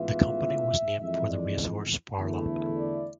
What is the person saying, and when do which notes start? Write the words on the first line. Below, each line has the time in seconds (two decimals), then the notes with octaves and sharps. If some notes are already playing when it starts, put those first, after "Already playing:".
The company was named for the race horse Phar Lap.
Already playing: A1 G#2 E3 B3 F4 E5
0.98 F2 E3 G#3 E5
1.28 D5
2.17 E2 D3 A3 E4
2.76 D5